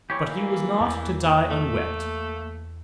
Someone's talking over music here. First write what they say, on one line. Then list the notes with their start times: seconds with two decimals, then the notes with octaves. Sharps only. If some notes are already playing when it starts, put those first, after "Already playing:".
But he was not to die unwept.
0.10 E3 G4 C#5
0.26 A#3
0.80 E2
1.50 A3